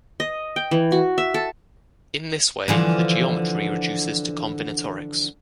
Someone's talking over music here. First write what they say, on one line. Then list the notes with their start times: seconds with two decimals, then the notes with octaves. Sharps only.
In this way the geometry reduces to combinatorics.
0.20 D#5
0.56 G5
0.71 E3
0.92 F#4
1.18 E5
1.34 A4
2.68 D3 E3 F3